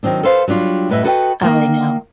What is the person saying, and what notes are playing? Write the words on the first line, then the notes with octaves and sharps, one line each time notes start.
Oh, I know,
D#3 F#3 C4 D4
A4 B4 C5 F5
F#3 G3 D4 F4
F#2 A2 G3 B4 D#5 E5
F#4 A4 B4 D#5 F5 G5
D#3 A#3